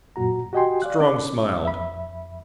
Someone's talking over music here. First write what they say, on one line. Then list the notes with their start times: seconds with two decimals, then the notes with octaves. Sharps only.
Strong smiled.
0.16 F#2 A#2 F#4 A#5
0.53 F#4 G4 D#5 G5 G#5 C6
0.82 D5 F5 F#6
1.00 C#4 D6
1.63 F2 E5 B5